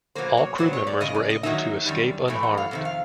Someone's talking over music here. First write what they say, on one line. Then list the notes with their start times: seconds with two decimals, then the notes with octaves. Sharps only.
All crewmembers were able to escape unharmed.
0.15 B2 F#3 A#3 C5
0.37 C#5
0.58 A#2 F#3 B3 C5
0.73 C#5
0.87 D5
1.00 F#2 C#3 D#5
1.15 D5
1.30 D#5
1.43 D#3 F#3 A#3 D#4 E5
1.86 F#2 D#3 G3
2.28 A2 E3 A3
2.43 F#5
2.57 F5
2.71 F2 C3 D#3
2.85 F5